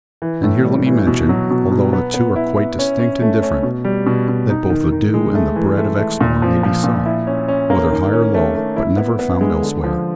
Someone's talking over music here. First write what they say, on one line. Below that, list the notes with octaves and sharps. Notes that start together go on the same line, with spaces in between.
And here let me mention--although the two are quite distinct and different--that both the dew and the bread of Exmoor may be sought, whether high or low, but never found elsewhere.
E3
A2
G3
E3
B2
F#3
B2
B2
B3
B3
E4
E4
C#4
C#4
A3
C#4
B2
G3
B2
B2
D#4
D#3
D#3
G#3
A3
E3
A3
A3
A#2
F3
F3
A#2
E4
C#4
C#4
A#3
D#3
C#4
A3
A3
E4
B3
B3
G#3
D3
F3